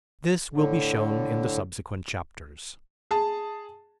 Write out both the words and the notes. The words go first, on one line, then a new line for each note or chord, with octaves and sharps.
This will be shown in the subsequent chapters.
A2 D3
G#4 A5